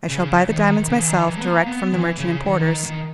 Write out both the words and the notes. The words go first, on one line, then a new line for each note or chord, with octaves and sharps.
I shall buy the diamonds myself, direct from the merchant-importers.
C#3
D#3
E3
D#3
C#3
E3
D#3
E3
B3
A#3
B3
E3
C#3
D#3
E3
D#3
D#3